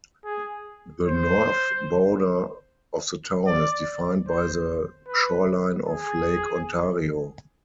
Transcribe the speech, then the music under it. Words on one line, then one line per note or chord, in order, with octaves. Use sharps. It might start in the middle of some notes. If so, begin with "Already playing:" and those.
The north border of the town is defined by the shoreline of Lake Ontario.
G#4
C5
D5
C5
B4
G#4